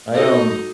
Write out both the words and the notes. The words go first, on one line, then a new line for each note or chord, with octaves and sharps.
I, um
D#4 F#4 A4 D5